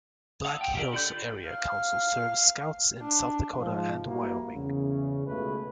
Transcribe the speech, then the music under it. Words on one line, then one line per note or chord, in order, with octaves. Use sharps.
Black Hills Area Council serves Scouts in South Dakota and Wyoming.
F5 F#5 A5 D#6 E6
G5
G4 A#4 D5
D3 A4 D5 B5 G6
F4 D5
F5
D4
G#2 F3
G3 A#3 E4 F#4
E2 C#3
C#2 B2 A3 G#4 B4